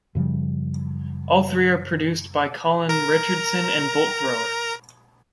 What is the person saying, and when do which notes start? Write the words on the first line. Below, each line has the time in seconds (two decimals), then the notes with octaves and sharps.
All three are produced by Colin Richardson and Bolt Thrower.
0.15 F#2 C#3 F3 G3
2.89 A#4 A#5